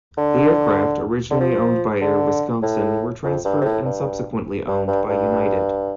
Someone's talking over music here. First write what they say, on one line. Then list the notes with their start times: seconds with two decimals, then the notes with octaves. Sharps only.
The aircraft, originally owned by Air Wisconsin, were transferred and subsequently owned by United.
0.18 D3
1.31 D3
1.40 F3
2.02 D3
2.62 A2
3.24 F2
3.45 G2
3.61 C3
3.65 A2
3.86 G2
4.68 G2
4.87 G2
5.09 G2